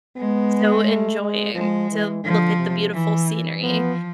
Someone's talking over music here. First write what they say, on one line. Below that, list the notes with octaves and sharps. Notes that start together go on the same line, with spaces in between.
so enjoying to look at the beautiful scenery,
G#3 B3
A3
G#3
F3 G#3
E3
D3 F3
C3
E3
F3 B3